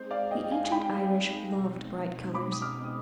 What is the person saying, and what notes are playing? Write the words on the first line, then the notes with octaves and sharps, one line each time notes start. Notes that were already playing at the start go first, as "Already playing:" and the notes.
The ancient Irish loved bright colours.
Already playing: G#3 C4 D#4 G#4 C5
D5 F5
D#5 G5
F5 G#5
G#5
G5 B5
B2 G#3 C4 D#4
B5 D6
D#6
D6 F6
D#6